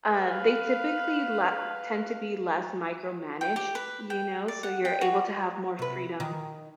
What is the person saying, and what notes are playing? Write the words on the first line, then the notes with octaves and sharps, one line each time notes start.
um, they typically le tend to be less micromanaged, you know, so you're able to have more freedom.
B4 F5
G5
G4
B4
G5
D5
F#5
G5
F#4
C3 B4
D#3